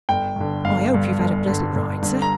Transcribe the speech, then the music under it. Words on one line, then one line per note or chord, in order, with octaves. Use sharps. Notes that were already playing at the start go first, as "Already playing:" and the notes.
'I hope you've had a pleasant ride, sir.
G1 G5
G2 D3
G1 F5
G2 D3
G1
G2 D3
G1
G2 D3
A#5